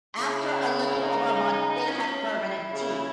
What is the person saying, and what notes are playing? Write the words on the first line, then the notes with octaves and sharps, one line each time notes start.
After a little over a month they had permanent teeth.
C#3 E4
D#4
C#4
E4
C#3